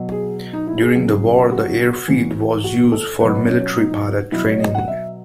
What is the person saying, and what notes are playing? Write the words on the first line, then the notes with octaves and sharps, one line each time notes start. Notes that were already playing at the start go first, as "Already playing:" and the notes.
During the war, the airfield was used for military pilot training.
Already playing: B2 F#3
G#4
D#4
E4
G#4
C#3 F#3
F#4
A2 E3
F#4
A4
B2 F#3 B4
C#4
D#4
B2 F#3 E4
C#5
D#5
F#5
E5